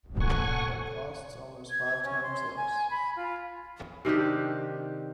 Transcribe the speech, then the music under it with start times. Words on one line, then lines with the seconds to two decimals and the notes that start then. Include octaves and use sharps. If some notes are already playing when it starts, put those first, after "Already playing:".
But costs almost five times less.
0.20 A#2 A4 F#5 G#5 C#6
1.70 G#6
2.04 C#4
2.22 C6
2.56 G#5
2.90 B5
3.16 F4
4.05 C3 D#3 D4 G4